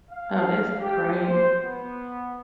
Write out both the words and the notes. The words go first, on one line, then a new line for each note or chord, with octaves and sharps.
Oh, that's great.
F5
G4
C5
B3